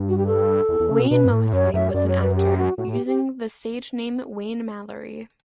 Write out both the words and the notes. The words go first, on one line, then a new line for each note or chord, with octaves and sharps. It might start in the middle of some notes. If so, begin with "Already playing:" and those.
Wayne Moseley was an actor, using the stage name Wayne Mallory.
Already playing: G2
F#4
G4
A4
E2
E2
C#3
B2
B2 B4
G2
A2
F#2 C#5
F#2 E5
C#5
F#2 D5
C#5
B4
G4
F#4
A2 F#4
A2 G4
G4